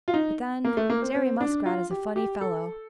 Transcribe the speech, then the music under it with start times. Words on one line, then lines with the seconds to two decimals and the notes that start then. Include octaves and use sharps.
But then, Jerry Muskrat is a funny fellow.
0.08 F4
0.14 D#4
0.65 A#3
0.77 A3
0.90 A#3
1.02 C4
1.15 C4
1.41 D4
1.66 F4
1.91 G4
2.16 G4
2.41 A4